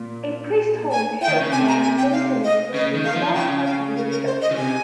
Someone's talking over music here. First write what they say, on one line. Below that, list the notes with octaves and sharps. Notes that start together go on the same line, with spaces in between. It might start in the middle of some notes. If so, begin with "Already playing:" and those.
A priest's home, parish hall and maintenance building are non-contributing structures.
Already playing: A#2
G#5
G5
D#3
C#3
C3 G#5
A#5
G#5
G5
F5
D#5
C#3 D#5
D#3
F5
F3
C#3 G5
F5
A#4
A#4
C5
D#5
C#3
C3 G#5